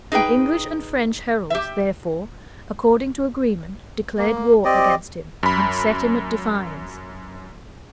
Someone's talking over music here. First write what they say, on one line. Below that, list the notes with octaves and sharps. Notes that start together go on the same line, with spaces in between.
The English and French heralds, therefore, according to agreement, declared war against him, and set him at defiance.
D#4 G#4 B4 G5
G4 E5
A#3
C4 G4 D5 D#5
F#2 B5